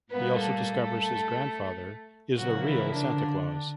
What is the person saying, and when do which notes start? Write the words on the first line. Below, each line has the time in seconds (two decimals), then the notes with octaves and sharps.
He also discovers his grandfather is the real Santa Claus.
0.10 A#2 G3 A#3 B3 B4
0.39 A3 A4
2.36 C#3 F3 F#3 A#3 F#4
2.64 E3 E4
2.92 D3 D4